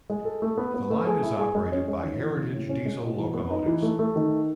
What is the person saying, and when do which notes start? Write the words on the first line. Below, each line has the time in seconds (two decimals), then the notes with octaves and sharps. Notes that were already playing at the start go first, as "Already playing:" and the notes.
The line is operated by heritage diesel locomotives.
0.10 G#3
0.25 A4
0.42 A3
0.57 B3
0.74 B3
0.90 A3
1.07 G#4
1.23 E4
1.39 G#4
1.55 G#3
1.72 C#4
1.88 G#3
2.04 D#3
2.20 E3
2.37 C#3
2.53 A2
2.69 C#4
2.86 G#3
3.02 B2
3.17 E3
3.34 B3
3.50 D#4
3.66 E3
3.83 A3
3.99 A3
4.16 D#3